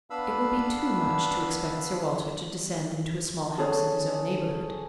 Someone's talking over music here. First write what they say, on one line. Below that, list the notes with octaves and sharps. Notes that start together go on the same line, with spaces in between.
It would be too much to expect Sir Walter to descend into a small house in his own neighbourhood.
B3 D4 B4 F5 B5 E6
C#4 G#4 A4